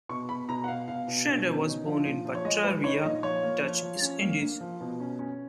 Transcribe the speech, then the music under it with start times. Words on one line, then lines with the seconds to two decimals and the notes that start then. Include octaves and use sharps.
Schneider was born in Batavia, Dutch East Indies.
0.09 B2 C#6
0.29 B2 B5
0.49 B2 A#5
0.64 F#5
0.68 B2 F5
0.88 B2 F5
1.07 B2
1.27 B2
1.47 C#4
1.66 D#4
1.86 F3
2.05 A#2
2.25 F3
2.35 C#5
2.45 G#3 D#5
2.64 G#3 B4
2.84 D#4 C#5
3.03 A#2 D#5
3.23 F3 C#5
3.43 A#3
3.63 F3
3.82 F3
4.02 C#4
4.21 A#3
4.41 A#3
4.60 F3
4.81 B2
5.00 C#4
5.19 C#4